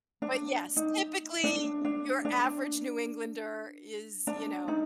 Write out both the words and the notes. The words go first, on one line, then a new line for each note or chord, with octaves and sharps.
but yes, typically, your average New Englander is, you know
D4
D#4
D4
D4
D4
D4
D#4